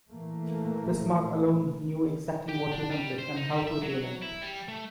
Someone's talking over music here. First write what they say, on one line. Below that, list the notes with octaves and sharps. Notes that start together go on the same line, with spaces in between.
Bismarck alone knew exactly what he wanted, and how to attain it.
A#2 E3 A3 A#3
G4
D4
G3
C5
D#4
G3
E5
F#3
E4
G3
A3